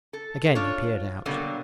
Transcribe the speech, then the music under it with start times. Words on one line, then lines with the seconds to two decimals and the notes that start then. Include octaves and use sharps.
Again he peered out.
0.13 A4
0.55 D4 F4 C#5
1.26 B2 D3 F#3 G3 A#3